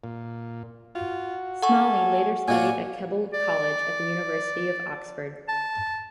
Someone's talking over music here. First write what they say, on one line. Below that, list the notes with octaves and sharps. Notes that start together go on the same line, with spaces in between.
Smalley later studied at Keble College at the University of Oxford.
A#2
F4 F#4
A4 F#5 G#5 C#6
A#2 A#3 F#4 C#5 D5 G#5
D5
A5